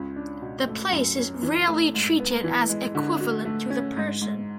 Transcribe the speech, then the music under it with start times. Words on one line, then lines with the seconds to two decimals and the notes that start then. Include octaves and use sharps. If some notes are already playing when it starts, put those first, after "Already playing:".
The place is rarely treated as equivalent to the person.
Already playing: C#2 C#4
0.16 D4
0.42 B2
0.67 A3
0.92 F#2
1.18 C#4
1.43 E3
1.68 A3
1.94 G#2
2.19 B3
2.44 E3
2.69 G#3
2.95 D3
3.20 F#4
3.45 A3
3.70 C#4
3.97 G#2
4.21 G#2